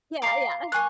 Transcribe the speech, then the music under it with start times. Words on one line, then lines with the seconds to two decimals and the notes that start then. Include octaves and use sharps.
Yeah, yeah.
0.22 F5 A#5 D6
0.72 A#3 G#5 C#6 F#6